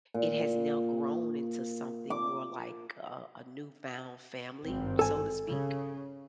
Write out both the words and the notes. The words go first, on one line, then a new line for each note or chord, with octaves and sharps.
it has now grown into something more like a a newfound family, so to speak.
A#2
D6
G#1 G2 C4
A4 G#5
C#3